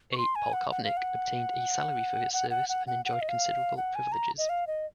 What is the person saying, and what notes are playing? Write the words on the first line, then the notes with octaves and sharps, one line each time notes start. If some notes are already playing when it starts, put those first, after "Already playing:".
A "polkovnyk" obtained a salary for his service, and enjoyed considerable privileges.
C#6
C6
G#5
F#5
F#5
F5
F#5
F#5
F#5
F#5
F#5
F#5
F5
D#5
F5
F#5
G#5
A#5
D#5
F5
D#5